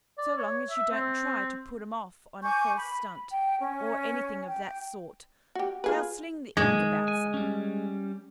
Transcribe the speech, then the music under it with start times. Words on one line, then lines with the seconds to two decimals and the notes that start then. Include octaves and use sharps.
So long as you don't try to put 'em off on a false stunt, or anything of that sort, they'll sling the ink about some.
0.18 D5
0.37 C#5
0.70 E5
0.91 C4
2.43 G#5 C#6 D6 G6
2.75 B5
3.32 G5
3.59 C#4
4.46 G5
5.55 F#4 G4
5.84 F4 G#4 B4
6.57 F#2 A#2 D3 G#3
6.73 D#3
7.08 G#5
7.34 G3 C#4